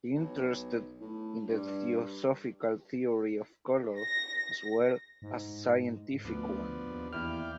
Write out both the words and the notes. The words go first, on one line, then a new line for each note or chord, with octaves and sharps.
He interested in the Theosophical theory of colour as well as scientific one.
B1
A2
G2
A#6
G#2
D2 F3 B3 D4
D#2
E2 E4 D5 F5 G5 F6